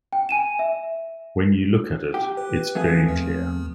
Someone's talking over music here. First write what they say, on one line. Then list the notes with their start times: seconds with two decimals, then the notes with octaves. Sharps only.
When you look at it, it's very clear.
0.13 G5
0.29 G#5 D#7 E7
0.59 E5
2.14 G4
2.37 B4
2.75 F2 A3 G#4
3.08 E2